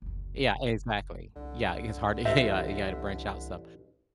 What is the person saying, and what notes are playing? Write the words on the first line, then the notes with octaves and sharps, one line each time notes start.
Yeah, exactly, yeah, it's hard to yeah, ya you gotta branch out some,
F#1 D2
C2 D3
A1 C4 E5